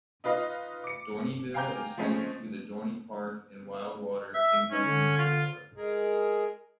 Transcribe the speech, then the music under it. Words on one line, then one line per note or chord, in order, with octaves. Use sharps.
Dorneyville is home to the Dorney Park and Wildwater Kingdom amusement park.
D#4 F4 B4 D#5 F5
D6 C#7
F5 G5 G#5 A#5 D6 G6
F3 G#3 A3 C4 C#4
E5
C#4 D#4
D3
F4
G#3 G#4 A#4